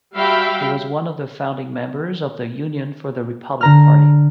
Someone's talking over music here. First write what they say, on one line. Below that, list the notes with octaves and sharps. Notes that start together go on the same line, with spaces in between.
He was one of the founding members of the Union for the Republic party.
G3 F#4 E5 F5 G5 B5
D3 A#5 F6